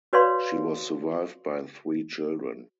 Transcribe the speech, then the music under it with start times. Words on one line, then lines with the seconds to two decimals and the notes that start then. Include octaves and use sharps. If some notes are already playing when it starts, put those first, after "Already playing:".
She was survived by three children.
0.13 F#4 B4 C#5 D5 F5 C6